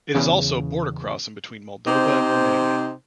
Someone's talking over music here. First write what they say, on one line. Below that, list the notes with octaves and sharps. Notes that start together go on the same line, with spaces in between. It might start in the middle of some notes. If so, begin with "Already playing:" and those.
It is also a border crossing between Moldova and Romania.
E2 C#3
C3 D#4 C5